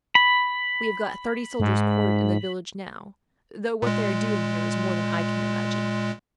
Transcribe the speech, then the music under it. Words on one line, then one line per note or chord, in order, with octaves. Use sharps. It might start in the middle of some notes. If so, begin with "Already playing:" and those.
We have got thirty soldiers quartered in the village now, though what they are doing here is more than I can imagine.
B5
G#2
A#2 G#3